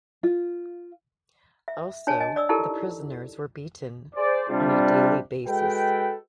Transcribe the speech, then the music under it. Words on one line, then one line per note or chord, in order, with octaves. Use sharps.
Also, the prisoners were beaten on a daily basis.
F4
E5
D4 C#5 G#5 A5
D#5 G#5
D5 D#6 E6
D#4 E4 G4 A4 A#4
G#4 C5 D5
C3 G3 D4 F4
G#3 F#4 A4 B4 G5